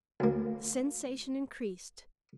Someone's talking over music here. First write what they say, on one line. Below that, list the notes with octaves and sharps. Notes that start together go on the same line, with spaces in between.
The sensation increased.
D2 A#3